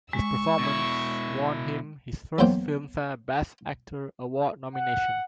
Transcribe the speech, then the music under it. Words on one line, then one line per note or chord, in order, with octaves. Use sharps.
His performance won him his first Filmfare Best Actor Award Nomination.
G#3 C#6 E6
B2 E4
E2 G#2 F#3 A#3 C5 G5
F#5